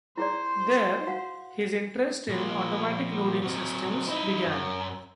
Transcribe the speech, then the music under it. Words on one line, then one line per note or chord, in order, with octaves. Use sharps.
There, his interest in automatic loading systems began.
E4 G#4 C5 D5
F#4 F5 F#5
A#2 F3
F#3 C4
D#4 E4
F#2